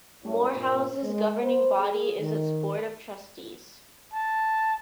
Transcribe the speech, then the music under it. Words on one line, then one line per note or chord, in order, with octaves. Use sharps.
Morehouse's governing body is its Board of Trustees.
F#2 G3 E4 C#5
G2 A#2 A#3 C4 C5
G#3
B3 C5
G#4
D#3
A5